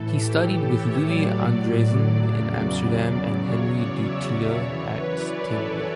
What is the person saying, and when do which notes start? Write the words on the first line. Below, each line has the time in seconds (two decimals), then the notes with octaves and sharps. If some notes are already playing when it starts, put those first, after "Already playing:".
He also studied with Louis Andriessen in Amsterdam and Henri Dutilleux at Tanglewood.
Already playing: A2 E3 A4
0.18 G4
0.48 A4
0.77 C#5
1.06 A2 F#3 D5
1.94 D5
2.23 E2 C#3 F#3 D5
2.53 D5
3.41 E2 C#3 F#3 C#5
3.70 D5
3.99 E5
4.29 D5
4.58 F#2 E3 C#5
4.87 B4
5.16 D5
5.46 A4